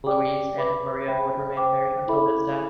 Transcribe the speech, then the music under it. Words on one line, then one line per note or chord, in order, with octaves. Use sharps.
Luiz and Maria would remain married until his death.
G4 D5 G5 D6
B4 E5 B5 D6
C5 E5 G5 B5
C5 G5 D6
E4 A4 E5 B5 D6